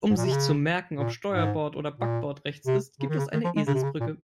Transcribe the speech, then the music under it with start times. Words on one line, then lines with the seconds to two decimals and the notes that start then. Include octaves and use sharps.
Um sich zu merken, ob Steuerbord oder Backbord rechts ist, gibt es eine Eselsbrücke.
0.10 G#2
0.17 A#2
0.25 C3
0.32 C#3
0.99 A#2
1.32 G#2
1.99 A#2
2.66 C3
3.00 C#3
3.09 D#3
3.18 C#3
3.33 D#3
3.44 F3
3.56 G#3
3.67 C#3
3.75 C3
3.83 C#3
4.00 A#2